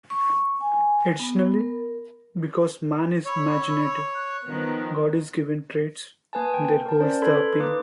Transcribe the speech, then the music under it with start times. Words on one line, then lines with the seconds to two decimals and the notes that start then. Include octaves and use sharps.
Additionally, because man is imaginative, God is given traits and there holds the appeal.
0.10 C#6
0.61 G#5
1.20 B3
1.59 A#4
3.25 C#5 B5 E6
4.14 F#6
4.47 D#3 F3 B3
6.33 A#3 B4 G#5 A5
6.54 G5
6.85 A#4 A5
7.00 C#4 C5 D5
7.22 A4 B4 B5 C6 G#6
7.60 A#3 D#4 B4 D6